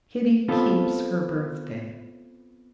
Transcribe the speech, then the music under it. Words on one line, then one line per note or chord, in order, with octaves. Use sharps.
Kitty Keeps Her Birthday.
B3 C4 F4 A4